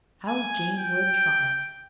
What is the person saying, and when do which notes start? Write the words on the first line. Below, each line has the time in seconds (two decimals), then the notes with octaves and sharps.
How Jane would triumph!
0.28 G#5
0.76 G5